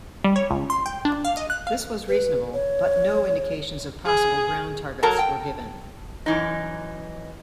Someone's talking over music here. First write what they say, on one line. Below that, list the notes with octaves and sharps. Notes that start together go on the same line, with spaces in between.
This was reasonable, but no indications of possible ground targets were given.
G3
C#5
C#2
C6
G5
D4
F5
D#5
F#6
F5
B4
C#5
G#4
F#3 A4 A#4 A5 A#5
G5
F#2 E3 D#4